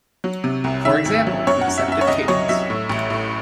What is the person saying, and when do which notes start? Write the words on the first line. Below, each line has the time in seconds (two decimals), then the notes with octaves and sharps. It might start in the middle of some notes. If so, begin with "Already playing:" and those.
For example, the deceptive cadence.
0.24 F#3
0.44 C3
0.64 C2
0.85 D#3 E5
1.05 G#1
1.27 F#3
1.47 F#2 C#5
1.61 F#5
1.68 F#2
1.78 E5
1.88 F#2 E5
2.01 C#5
2.07 C2 D#5
2.28 F#3 C#5
2.49 F#3 E5
2.70 A2
2.89 A1
3.10 A2